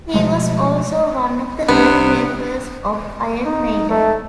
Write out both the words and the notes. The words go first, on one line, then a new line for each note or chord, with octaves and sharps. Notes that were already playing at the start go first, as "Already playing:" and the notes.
He was also one of the early members of Iron Maiden.
B2 F3 G#3 A3
C2 C3 B3 D4
D#4
A3